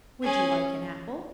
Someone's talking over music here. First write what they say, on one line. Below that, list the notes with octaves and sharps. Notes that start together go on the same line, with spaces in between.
"Would you like an apple?"
C#4 G#4